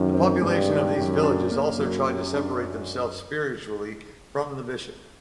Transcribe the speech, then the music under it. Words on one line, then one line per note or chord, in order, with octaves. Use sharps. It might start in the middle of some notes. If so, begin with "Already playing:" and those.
The population of these villages also tried to separate themselves spiritually from the bishop.
Already playing: F#2 D#3
C4
G2 G#3
D#3
F#2 G4
D4
F#2 A#3
F#3
G4
D4